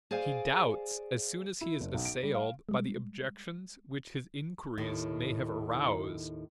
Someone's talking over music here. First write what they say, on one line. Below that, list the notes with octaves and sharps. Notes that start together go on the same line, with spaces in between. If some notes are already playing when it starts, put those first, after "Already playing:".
He doubts as soon as he is assailed by the objections which his inquiries may have aroused.
G#4 C5 D5 F5 G#5
E4
F#1
B1
D7
G3
F5
G3 G#3
D#2 A2 D#3